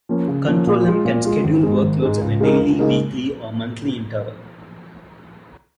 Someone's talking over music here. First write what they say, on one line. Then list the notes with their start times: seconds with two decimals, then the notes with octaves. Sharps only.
Control-M can schedule workloads on a daily, weekly or monthly interval.
0.09 F3 A#3 C#4
0.28 C#3
0.47 F3 A#3 C#4
0.67 A#2
0.86 G#3 F4
1.05 A#2
1.25 G#3 F4
1.44 G#1
1.63 G#2 G#3
1.82 G#1
2.02 G#2 G#3
2.21 C#2
2.40 C#3 G#3 D#4 A#4
2.60 C#2
2.79 C#3 G#3 D#4 A#4